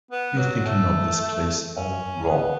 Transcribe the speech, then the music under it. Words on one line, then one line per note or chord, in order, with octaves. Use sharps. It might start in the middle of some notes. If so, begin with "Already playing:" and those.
You're thinking of this place all wrong.
B3
F#3
A3
C#4
B3